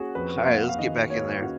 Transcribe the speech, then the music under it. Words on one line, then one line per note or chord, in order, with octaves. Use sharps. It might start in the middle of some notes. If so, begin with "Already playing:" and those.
Alright, let's get back in there.
Already playing: A#3 C#4 F#4 G#4
F2 B4
A#3 F5
F5
D#3 D#5
A#3 C#5
C#4 F#4